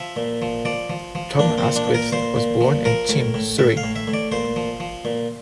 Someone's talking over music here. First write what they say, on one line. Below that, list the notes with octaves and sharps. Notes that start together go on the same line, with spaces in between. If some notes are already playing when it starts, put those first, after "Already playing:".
Tom Askwith was born in Cheam, Surrey.
Already playing: F3 E5
A#2
F3
F3 D5
F3
F3
A#2 D4
C4
F3
D4
A#2
A#4
A#2 C5
A#2
F3
F3 A#4
A2
A2
A2 E5
F5
A2
E5
A2
D5
A#2 C5
F3
F3
A#2